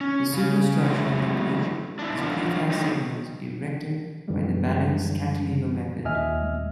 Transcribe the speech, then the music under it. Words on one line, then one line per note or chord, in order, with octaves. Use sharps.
The superstructure of the bridge is pre-cast segments erected by the balanced cantilever method.
C#4
C#3 C#4
F#3 G#3 A3 E4
D4 E4
F3 D4 F4 F#4 A4 D5
D3 D#3 F#3 G3 D#4 G4
F#2 D3 E3 F3 G3 G#3
D#2 A#2 D#5 E5 G#5 F6